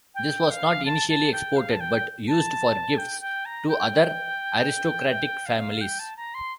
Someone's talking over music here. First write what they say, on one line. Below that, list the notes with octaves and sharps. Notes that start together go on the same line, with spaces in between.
This was not initially exported, but used for gifts to other aristocratic families.
G5
F5
A5
A5
G5
F5
A5
G5
A5
G5
G5
A#5
G5
G5
F5
G5
A5
A#5
C6